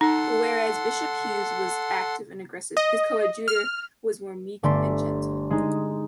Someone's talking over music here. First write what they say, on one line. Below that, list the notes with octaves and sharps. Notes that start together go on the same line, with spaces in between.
Whereas Bishop Hughes was active and aggressive, his coadjutor was more meek and gentle.
D#4 A4 F#5 C6
D#5
F6
G1 A3 D5 C6 B6
G#3 D#4